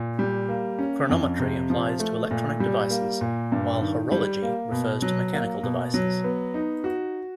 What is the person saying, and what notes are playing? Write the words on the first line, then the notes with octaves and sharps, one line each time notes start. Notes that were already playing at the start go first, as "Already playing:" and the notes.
Chronometry applies to electronic devices, while Horology refers to mechanical devices.
Already playing: A#2
G3
A#3
C#4
F2
C3
F3
A3
A#2
G3
A#3
A#2
G2
D#3
G3
A#3
B2
F#3
A#3
B2
F#3
B3
D#4
F#4